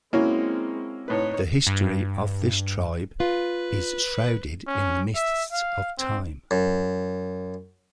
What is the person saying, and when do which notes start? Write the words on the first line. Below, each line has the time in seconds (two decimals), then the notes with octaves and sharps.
The history of this tribe is shrouded in the mists of time.
0.13 G#3 A#3 C4 C#4 E4 F#4
1.08 A2 D#4 B4 C#5
1.67 G2
3.20 F4 B4
4.67 C#4
5.15 E5
5.52 F5
5.98 C4
6.51 F#2